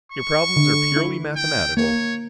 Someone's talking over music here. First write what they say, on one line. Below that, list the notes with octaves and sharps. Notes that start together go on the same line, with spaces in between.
Your problems are purely mathematical.
C#6
D3
E4
G5
A#3 C#5